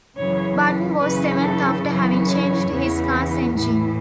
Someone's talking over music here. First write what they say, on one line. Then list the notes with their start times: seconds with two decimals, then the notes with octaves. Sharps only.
Button was seventh after having changed his car's engine.
0.16 F#2 C#3 E3 C#5
1.00 F#2 C#3 E3 B4
1.42 A4
1.85 F#2 C#3 E3
2.27 C#5
2.69 E2 C#3 E3
3.53 A2 E3